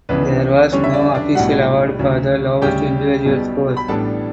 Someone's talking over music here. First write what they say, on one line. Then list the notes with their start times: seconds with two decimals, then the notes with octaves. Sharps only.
There was no official award for the lowest individual scores.
0.09 C#2 C#3 E3 B3 D4 B4
0.72 E2 D3 G3 C#4 D4 C#5
0.84 E5
0.93 D4 D5
1.15 D4 D5
1.35 B1 A2 G3 F#4 F#5
1.99 D2 C#3 F#3
2.62 D2 C#3 G3 C#4 G4 G5
3.25 B1 B2 G3
3.77 B5
3.88 A1 A2 G3 B3 D4 A4 A5